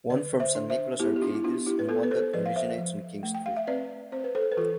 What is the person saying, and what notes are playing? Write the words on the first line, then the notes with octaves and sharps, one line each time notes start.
One from St Nicholas Arcades and one that originates on King Street.
D3 B4 D5
C5 E5
D4
C5 E5
B3 E4 G4
G4
D4 F4
E4
B3 D4 F4
E4 G4
B4
B3 F4 A4
B4
A4 C5
F3 B4 D5
F5
C5 E5
F3
A3
G5
F5
E5
C4 B4 D5
C4 C5
B4
A4 C5
B4
E3 F4 A4